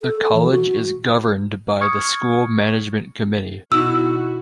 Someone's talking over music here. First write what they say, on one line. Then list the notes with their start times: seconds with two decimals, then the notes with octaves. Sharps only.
The College is governed by the School Management Committee.
0.02 A4
0.21 A4
0.33 E3
0.50 F#4
1.81 C#6 D#6 F6 G#6 C#7
3.72 B2 D#4 E4 F#4 E6